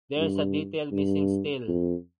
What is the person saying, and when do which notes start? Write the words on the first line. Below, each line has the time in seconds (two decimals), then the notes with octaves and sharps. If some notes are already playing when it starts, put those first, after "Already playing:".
There is a detail missing still.
0.18 G2
0.92 G2
1.68 F2